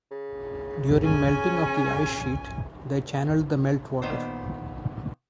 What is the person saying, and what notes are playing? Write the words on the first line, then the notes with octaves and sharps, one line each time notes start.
During melting of the ice sheet they channeled the melt water.
C#3
C#4 G#5
A#2 D#3 B3 C5